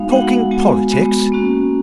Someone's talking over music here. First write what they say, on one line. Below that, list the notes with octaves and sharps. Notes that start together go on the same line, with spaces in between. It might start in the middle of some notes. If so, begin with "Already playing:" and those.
"Talking politics?"
Already playing: G#3 B3 D#4 F#4 F5
G#3 B3 D#4 F#4 F#5
G#3 B3 F#4 G#5
G#3 B3 F#4
A#3 C#4 F#4